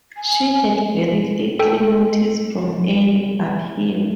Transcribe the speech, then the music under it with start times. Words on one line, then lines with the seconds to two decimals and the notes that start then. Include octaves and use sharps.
She had very little notice from any but him.
0.16 G#5
1.59 A4 G5